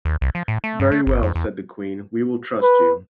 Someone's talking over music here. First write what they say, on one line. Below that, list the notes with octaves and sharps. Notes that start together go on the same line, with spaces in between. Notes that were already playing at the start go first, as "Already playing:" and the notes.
"Very well," said the Queen, "we will trust you".
D#2
C2
F3
A2
A3
G2
A3
G1
F2
E2
B4